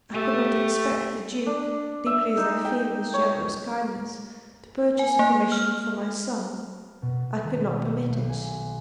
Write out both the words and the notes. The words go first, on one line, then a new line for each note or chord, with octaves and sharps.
I could not expect the Duke, deeply as I feel his generous kindness, to purchase a commission for my son: I could not permit it.
A3 G4
D4
E5
D#4
G5
C#5
G#5
A#3
F6
F6
B2
D#3
E6
B1
G#5